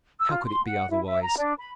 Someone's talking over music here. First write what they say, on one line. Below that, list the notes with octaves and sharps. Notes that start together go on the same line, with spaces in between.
How could it be otherwise?
E6
F4
C6
F#5
E4
E5
A#5
D4
B5